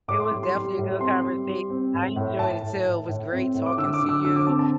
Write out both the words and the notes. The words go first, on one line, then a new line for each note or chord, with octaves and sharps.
It was definitely a good conversation. I enjoyed it, too. It was great talking to you.
A2 D6
C6
G3
C6
G3
A2
C4 C6
G3
G3
C4
A2
A2
A2 A5
A2
A2
A2
C4
A2
D6
D3 E6
D6
D3
E6
D3 E6
D6
C4 A5
A5